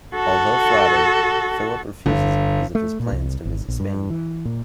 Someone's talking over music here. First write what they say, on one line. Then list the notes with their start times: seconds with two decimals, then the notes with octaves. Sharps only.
Although flattered, Philip refuses because of his plans to visit Spain.
0.15 F#4 A4
2.06 G1
2.75 A3
3.00 A#2
3.12 C2
3.45 G#1
3.68 A#1
3.80 G2
4.10 E3
4.45 A#2